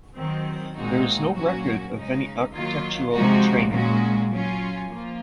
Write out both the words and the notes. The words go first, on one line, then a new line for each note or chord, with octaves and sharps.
There is no record of any architectural training.
D#3 F#3 C4
A#2 G#3 C4 D#4 F#4
A#2 F#3 A#3 C#4 F#4
C#3 G#3 D#4
D#3 F#3 A#3 F4
C3 F3 G#3 D#4 F#4
A#2 G#3 C#4 F#4
F#3 C#4 F4
F3 A#3 F4